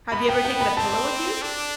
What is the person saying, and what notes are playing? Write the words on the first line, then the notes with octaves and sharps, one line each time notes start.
Have you ever taken a pillow with you?
B3 B5
G5
G5
B5
C4 A5
D4